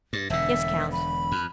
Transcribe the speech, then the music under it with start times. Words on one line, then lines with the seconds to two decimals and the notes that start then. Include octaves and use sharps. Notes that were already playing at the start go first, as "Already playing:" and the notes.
"Yes, count."
0.13 G2
0.30 E1 D3 E5
0.92 B5
1.32 F2